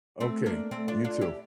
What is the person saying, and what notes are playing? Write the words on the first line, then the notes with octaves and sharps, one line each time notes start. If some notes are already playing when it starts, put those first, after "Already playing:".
Okay, you too.
A3 C4
A#3 D4
A3 C4
D4 F4
D4 F4
E4 G4